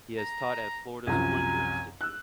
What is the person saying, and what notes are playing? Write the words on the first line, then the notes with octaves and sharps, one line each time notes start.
He has taught at Florida's Poynter Institute.
A#5
C2 F#2 F3 G#5
E6 F#6